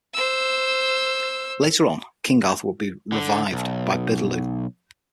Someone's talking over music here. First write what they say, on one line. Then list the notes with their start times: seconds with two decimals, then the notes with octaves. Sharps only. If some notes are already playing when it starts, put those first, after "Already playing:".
Later on, King Arthur would be 'revived' by Biddeloo.
0.14 C5 E6
3.12 D3
3.52 B1